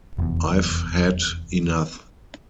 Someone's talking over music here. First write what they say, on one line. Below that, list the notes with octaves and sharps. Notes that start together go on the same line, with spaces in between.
I've had enough.
F1 E2